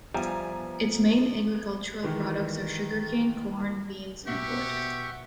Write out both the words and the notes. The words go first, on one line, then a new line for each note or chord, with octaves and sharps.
Its main agricultural products are sugar cane, corn, beans, and wood.
F3 G3 B3 E5 G#5 A#5
D#3 E3 G#3
B2 G4 E5 F#5 C#6